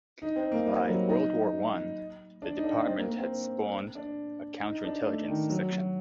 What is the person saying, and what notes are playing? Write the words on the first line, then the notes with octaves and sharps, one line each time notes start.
By World War One, the Department had spawned a counter-intelligence section.
D#4
C4
A#3
G3
F#3
D#4
D4
D#4
D4
C4
A#3
A#3
C4
D4
D#4
D4
A3
D#3
F#3
F#3